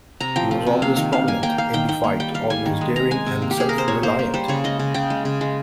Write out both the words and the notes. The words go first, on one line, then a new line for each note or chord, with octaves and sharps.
He was always prominent in the fight, always daring and self-reliant.
C3 A#5
F3 G5
F3
C3
A#3 F5
D#3 F5
D#3 F5
A#3 G#5
A#3 G5
A#3 F5
D#3 G5
D#3 G5
A#3
G3 G5
G3 F5
G3 G#5
D#3
G#3
G#3 A#5
G#3 G#5
C3
A#3
G4
A#3 G#4
C3 A#4
C5
A#3 C#5
A#3 C5
A#3
G3 C5
C#3 C#5
G#3 D#5
C#3
C#3 G5
G#3
C#3
G#3